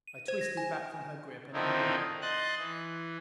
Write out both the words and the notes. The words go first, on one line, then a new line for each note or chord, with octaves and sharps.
I twisted back from her grip and ignored her.
D#7
C5
A#6
G#5
D3 D#3 F3 C4 D#4 E4
D#5 C6 F#6 A6
E3